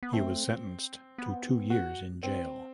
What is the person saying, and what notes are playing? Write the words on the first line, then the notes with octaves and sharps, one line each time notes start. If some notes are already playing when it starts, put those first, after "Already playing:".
He was sentenced to two years in jail.
B3
A3 C4
B3
F#4
C4